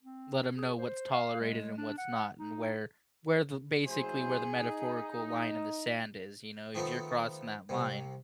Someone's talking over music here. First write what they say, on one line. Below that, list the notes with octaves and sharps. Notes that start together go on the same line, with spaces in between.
Let 'em know what's tolerated and what's not and where where the basically where the metaphorical line in the sand is. You know? If you're crossing that line,
C4
G#4
C5
F5
G#3
D4
F#5
D#4
F#1 E4 G#4 C5
D#4
D#3 F3 A3 B3 D#4
C2 C3